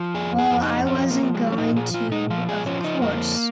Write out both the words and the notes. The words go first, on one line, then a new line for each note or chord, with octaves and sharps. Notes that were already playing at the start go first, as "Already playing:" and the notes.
Well, I wasn't going to, of course.
Already playing: F3
F2 G#4
G#4
F2
D#4
F3 C#4
A#3
F3
G#3
C#4
A#2 D#4
G#4
A#2 F4
D#4
F3 F4
G#4
F3 C#4
D#4
F2 A#3